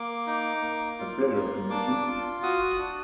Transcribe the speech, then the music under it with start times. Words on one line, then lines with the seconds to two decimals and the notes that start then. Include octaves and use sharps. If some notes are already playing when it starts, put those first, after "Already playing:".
A pleasure to meet you.
Already playing: A#3 D6
0.26 D#4
0.62 A#3
0.99 F4
1.34 A#3
1.70 D4 D6
2.07 F4
2.43 F#4 D#6
2.79 D4